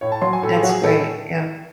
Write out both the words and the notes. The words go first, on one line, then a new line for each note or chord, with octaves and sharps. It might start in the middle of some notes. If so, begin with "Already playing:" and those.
That's great, yeah.
A2 C#5
A5
F#3 C6
G#5
A2 A4
G#4
F#3 F#4
G#4
A2 A4